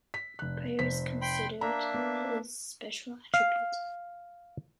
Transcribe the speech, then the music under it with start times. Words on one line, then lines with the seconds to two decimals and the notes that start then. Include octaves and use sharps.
Prayer is considered his special attribute.
0.14 B6
0.39 F1 F#6
0.79 F1 C5 B6
1.22 G5 B5 C6
1.61 A#3 D4 E5 A#5
1.94 B3
3.34 F5